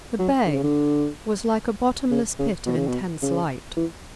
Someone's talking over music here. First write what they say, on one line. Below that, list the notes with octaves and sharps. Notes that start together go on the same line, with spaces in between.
The bay was like a bottomless pit of intense light.
F#3
D3
C#3
D3
C#3
C#3
B2
C#3
B2
C#3
E3